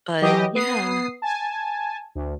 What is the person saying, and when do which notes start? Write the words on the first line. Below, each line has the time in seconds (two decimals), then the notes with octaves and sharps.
but yeah.
0.22 E3 F#3 G4 D#5
0.55 B3 D#6 C7
1.22 G#5 A5
2.15 D2